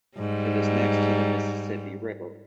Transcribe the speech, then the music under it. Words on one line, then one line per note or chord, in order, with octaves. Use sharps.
It is next to the Mississippi River.
G#2 G3